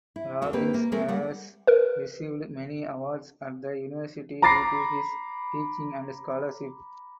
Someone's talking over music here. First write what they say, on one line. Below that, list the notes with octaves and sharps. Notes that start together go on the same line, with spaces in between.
Robbins has received many awards at the university due to his teaching and scholarship.
E4
D#2 C#4 F#4
A#3 C4 G4 B4
A#3
F3 G#3 A3 C4 A#4
G3 F#5
A#4 B4
A#5 B5 D6 A6 A#6 C7